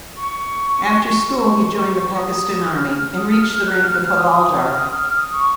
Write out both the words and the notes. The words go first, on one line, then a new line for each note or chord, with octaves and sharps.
After school he joined the Pakistan Army, and reached the rank of Havaldar.
C#6
C#6
D#6
F6
F6
D#6
F6
F6
F#6
F6
F#6
F6
D#6
F6
D#6
F6
F6
D#6
C#6